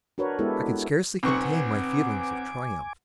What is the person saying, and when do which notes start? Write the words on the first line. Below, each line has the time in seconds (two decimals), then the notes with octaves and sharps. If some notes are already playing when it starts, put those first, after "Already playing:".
I could scarcely contain my feelings of triumph.
0.18 D4 F#4 A#4 B4 C#5
0.39 G#3 B3 E4 G4 A4
1.23 B1 C4 B4 F#5 G#5 C#6 D6